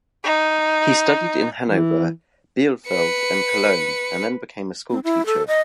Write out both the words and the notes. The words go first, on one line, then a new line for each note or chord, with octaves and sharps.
He studied in Hanover, Bielefeld and Cologne, and then became a schoolteacher.
D#4
E3
B4 C#7
C4
E4
A4
D#5